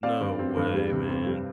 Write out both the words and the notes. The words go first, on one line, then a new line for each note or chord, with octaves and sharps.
No way, man.
C4 D5 F5
G2
C4
G2
G3
C3
C4
G3